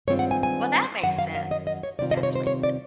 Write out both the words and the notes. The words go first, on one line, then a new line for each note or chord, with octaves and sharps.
Well, that makes sense. That explains it.
G2 D#3 G#3 C4 F4 C#5
F#5
G#5
G#5
F#2 D#3 F#3 F#5
F5
F5
D#5
D#5
C#5
C3 D#3 G3 C4 F4 D5
D#5
C5
C#5
C5
C#5
D5